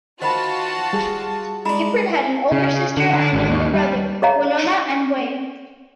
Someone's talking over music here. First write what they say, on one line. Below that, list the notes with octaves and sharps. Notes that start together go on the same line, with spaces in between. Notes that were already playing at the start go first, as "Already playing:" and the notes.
Gifford had an older sister and younger brother, Winona and Waine.
D#3 F4 F#4 C5 A5 B5
G3 G#4
G#3 D4 E4 A#5 B5
C#3
D3
D3
G#1
D#2
G3
G#4 C#5 D#5 F5 A#5